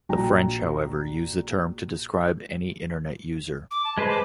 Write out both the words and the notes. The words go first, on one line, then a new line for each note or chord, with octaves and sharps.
The French, however, use the term to describe any Internet user.
A#1 F#4 G5 A#5
D6
A5
G#3 B4 C5
D6